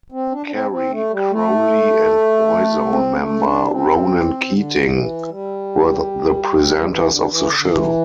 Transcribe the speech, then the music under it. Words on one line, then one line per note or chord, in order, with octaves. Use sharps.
Carrie Crowley and Boyzone member Ronan Keating were the presenters of the show.
C4
D4
D4
C4
C4
A3
G3
A3
C4
A3
D4
C4
D3
E3
G3
G3
E3
D3
E3
D3
D3
E3